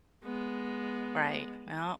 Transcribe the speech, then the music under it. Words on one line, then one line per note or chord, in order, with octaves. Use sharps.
Right, yep.
G#3 B3